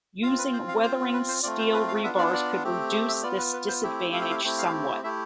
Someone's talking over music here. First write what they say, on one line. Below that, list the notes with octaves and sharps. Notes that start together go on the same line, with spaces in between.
Using weathering steel rebars could reduce this disadvantage somewhat.
C4 F4 F5
B4
C5
F5
C4 F4 C5
B4
C5
A3 C4 F4 D5
C5
B4
F5
B3 D4 F4 E5
D5
D5
A3 C4 G4
E5
E5
B3 F4 D5
B4
B4
C5
A3 C4 E4 G4 E5
E5
F5
G5
F5
A3 C4 E4 G4 G5
F5
A3 E4 G4 E5